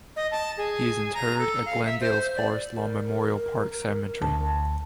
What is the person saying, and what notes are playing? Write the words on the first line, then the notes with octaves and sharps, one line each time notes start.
He is interred at Glendale's Forest Lawn Memorial Park Cemetery.
D#5
A5
G#4
A#5
A4
F5
E5
C5
D5
A#4
D2 A5